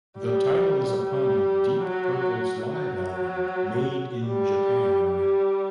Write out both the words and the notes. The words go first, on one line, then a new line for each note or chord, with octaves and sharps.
The title is a pun of Deep Purple's live album "Made in Japan".
G3
G3
F#3
F#3
G3
G3